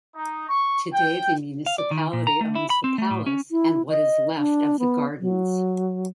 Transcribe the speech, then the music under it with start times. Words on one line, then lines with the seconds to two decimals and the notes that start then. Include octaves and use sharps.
Today the municipality owns the palace and what is left of the gardens.
0.15 D#4
0.49 C#6
0.93 G5
1.66 F5
1.78 D5
1.91 D#3
2.13 A#2
2.27 A#5
2.41 A3
2.55 E4
2.70 B5
2.84 C4
2.98 A3
3.10 A2
3.26 C#4
3.51 E4
3.89 D#5
4.38 D4
4.79 B3
5.19 F#3